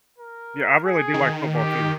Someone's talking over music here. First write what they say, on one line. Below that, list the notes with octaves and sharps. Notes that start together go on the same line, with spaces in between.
Yeah, I really do like football too.
A#4
G#4
D#3
G4